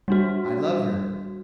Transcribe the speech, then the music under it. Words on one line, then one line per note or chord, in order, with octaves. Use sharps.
I love her.
G3 D4 F#4